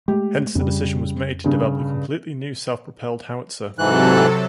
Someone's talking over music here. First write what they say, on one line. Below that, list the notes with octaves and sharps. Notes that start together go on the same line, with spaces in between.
Hence the decision was made to develop a completely new self-propelled howitzer.
G#3 A3 G4
F2 C#3 G3
G2 C#3
G#2 C3 E3 F#3 A4 F#6